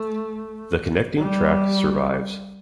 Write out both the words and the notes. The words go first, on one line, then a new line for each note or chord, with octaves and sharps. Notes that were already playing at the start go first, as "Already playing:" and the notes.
The connecting track survives.
Already playing: A3
G3